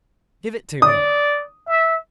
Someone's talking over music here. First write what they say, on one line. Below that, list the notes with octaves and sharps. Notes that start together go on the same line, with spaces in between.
Give it to me!
D5 D#6
E5